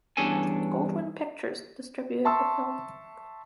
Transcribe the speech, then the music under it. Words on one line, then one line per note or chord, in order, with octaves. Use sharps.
Goldwyn Pictures distributed the film.
E2 G2 C#4 D4 A4 G#5
E5 A5 C6 C#6 E6